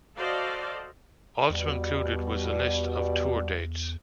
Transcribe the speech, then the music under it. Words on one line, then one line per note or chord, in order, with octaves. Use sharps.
Also included was a list of tour dates.
F#4 A4 C5 D5 D#5 F5
E2 B2 G3 D5